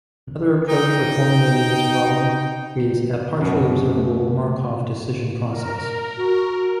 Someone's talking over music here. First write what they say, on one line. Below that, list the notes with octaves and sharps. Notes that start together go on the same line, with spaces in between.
Another approach for formulating this problem is a partially observable Markov decision process.
D#4 G5
F#2 B2 C#4
A3
A#4
F#4